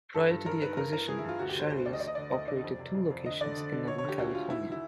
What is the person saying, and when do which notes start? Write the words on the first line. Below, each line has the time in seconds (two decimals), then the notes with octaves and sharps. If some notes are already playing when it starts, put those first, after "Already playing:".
Prior to the acquisition, Shari's operated two locations in Northern California.
0.14 G2 A4
0.31 G2
0.46 G2 A#4
0.62 D#3 B4
0.77 G2 A#4
0.93 E3 A#4
1.08 E3 G#4
1.19 E4
1.24 G2 F4
1.39 D2 F#4
1.49 G4
1.55 D3 C5
1.70 D2 C5
1.85 D2 D5
1.93 D#5
2.00 D2 D5
2.07 D#5
2.15 D3 D5
2.32 D2 D#5
2.48 D3 D5
2.64 F2
2.79 C3
2.95 F2
3.10 F2
3.25 D3 D#5
3.41 D3 D5
3.57 D3
3.72 D3
3.88 D3 C#5
3.98 D3 C#5
4.08 G4
4.18 D2 F#4
4.34 D2 F4
4.50 D#3 E4
4.72 E4